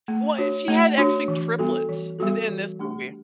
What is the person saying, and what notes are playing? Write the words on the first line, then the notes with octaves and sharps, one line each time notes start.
Well, she had actually triplets in in this movie,
A3
D4 F#4 C#5
A3
D4 F#4 C#5
E3
G3 B3 F#4 A4
E3
G3 B3 F#4 A4
E3
A3 D4 G4